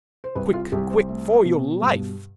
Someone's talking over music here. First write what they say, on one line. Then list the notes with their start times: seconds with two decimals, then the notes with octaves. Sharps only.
Quick--quick! for your life.
0.24 C5
0.35 C2 B4
0.53 F4
0.72 C2 G4
0.90 C5
1.09 A3
1.45 B2
1.82 G2